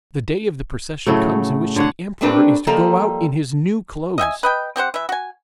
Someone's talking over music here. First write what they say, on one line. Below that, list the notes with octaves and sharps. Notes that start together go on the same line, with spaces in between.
The day of the procession comes in which the emperor is to go out in his new clothes.
A2 C#3 F#3 A3
D3 C#5 F#5
A3 A#3 C4 D4 G4 B4
F3 G3 A#3 A4 D#5 A#5
D#5 E5 G5 G#5
B4 D#5 G5
C4 G4 C5 F#5
E3 E5
F#4 G#5